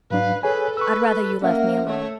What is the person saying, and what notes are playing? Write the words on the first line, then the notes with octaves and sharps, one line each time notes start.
I'd rather you left me alone.'
G#2 F#3 D4 B4 F5
G#4 A4 B4 C#5 G#5
B4 C#6 E6
A#3 C#4 A#4 E5 F#5
A3 C#5